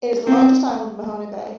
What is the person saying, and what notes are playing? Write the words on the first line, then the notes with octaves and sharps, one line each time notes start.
It is the largest island in Mahone Bay.
C4